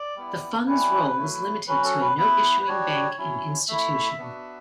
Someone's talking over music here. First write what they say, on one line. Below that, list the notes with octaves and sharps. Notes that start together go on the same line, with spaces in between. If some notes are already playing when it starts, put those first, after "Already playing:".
The Fund's role was limited to a note-issuing bank and institution.
Already playing: D5
G3 B3 E4
G3 C#4 E4 B4
F#3 A3 E4
F#3 C#4 F#4 B4
A4
B4
B3 E4 B4
B4
G3 D4 F#4 C#5
F#3 C#4 E4
A3 E4 E5
B3 D4 F#4